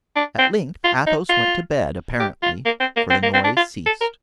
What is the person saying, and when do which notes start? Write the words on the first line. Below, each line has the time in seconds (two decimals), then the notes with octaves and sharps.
At length Athos went to bed, apparently, for the noise ceased.
0.16 D4
0.39 C4
0.84 F4
1.07 D#4
1.29 F4
2.20 G4
2.43 F4
2.66 A#3
2.80 C4
2.96 A#3
3.10 C4
3.23 A#3
3.34 C4
3.44 D4
3.57 F4
3.86 A4
4.01 A#4